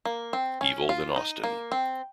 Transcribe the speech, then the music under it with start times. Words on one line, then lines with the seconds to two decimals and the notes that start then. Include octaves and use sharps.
Evil than Austin.
0.05 A#3
0.33 C4
0.61 C#4
0.89 F4
1.16 D#4
1.43 A#3
1.72 C4